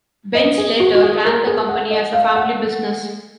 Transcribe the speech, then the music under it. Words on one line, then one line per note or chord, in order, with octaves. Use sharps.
Bentz later ran the company as a family business.
D#5
G#4
F#4
F#4
G#4
A#4
G#4
F#5
D#5
F5
F#5